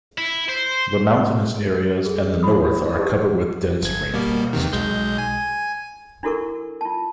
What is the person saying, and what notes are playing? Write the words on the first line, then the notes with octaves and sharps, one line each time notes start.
The mountainous areas and the north are covered with dense rainforest.
E4
C5
G#4 A4
E4 F#4 D5 B5 D#6
C#4 D#4 G4 G#4 B4 D#5
G1 G#6
B2 G3 A#3
E2 C3 D#3
B1 G#3 G6
G#5
D4 E4 F#4 A4 A#4 C#6
F4 A5